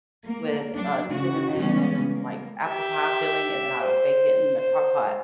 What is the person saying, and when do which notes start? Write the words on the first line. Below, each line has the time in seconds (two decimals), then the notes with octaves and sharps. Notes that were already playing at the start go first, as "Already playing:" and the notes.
with, uh, cinnamon and, like, apple pie filling, and then I bake it in the Crock-Pot,
0.24 A#3
0.76 F#3 D4
1.11 C#3 F#4
1.58 C#3 E3 G3 G#3 B3 C#4
2.10 A#3
2.67 G4 E5
3.83 C5
4.59 C5